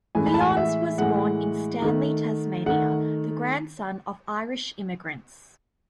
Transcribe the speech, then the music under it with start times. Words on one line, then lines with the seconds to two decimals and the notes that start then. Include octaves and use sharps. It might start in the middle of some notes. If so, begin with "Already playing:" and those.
Lyons was born in Stanley, Tasmania, the grandson of Irish immigrants.
0.15 A2 E3 G#3 G#5
0.27 B5
0.34 A5
0.41 G#5
0.50 F#5
0.57 E5
0.98 A2 E3 G#3 F#5
1.82 D#3 A3
2.66 D#3 A3 F#5